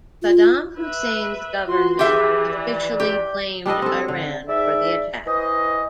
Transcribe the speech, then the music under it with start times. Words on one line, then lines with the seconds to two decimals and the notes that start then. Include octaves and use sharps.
Saddam Hussein's government officially blamed Iran for the attack.
0.22 F4
0.79 B4 E5
1.67 F4 F#4 C6
1.99 E3 G4 G#4 E5
2.52 D5
3.00 G4
3.66 G3 D4 A4 D#5
3.82 C4 A4
4.08 D3
4.48 G#2 D5 E5
5.26 E3 C5 D#5